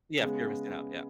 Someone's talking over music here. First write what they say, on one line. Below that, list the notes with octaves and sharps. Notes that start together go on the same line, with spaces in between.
Yeah, fear of missing out, yeah.
C#3 G#3 B3